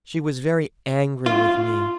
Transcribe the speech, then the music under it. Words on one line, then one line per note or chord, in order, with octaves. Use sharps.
She was very angry with me.
F4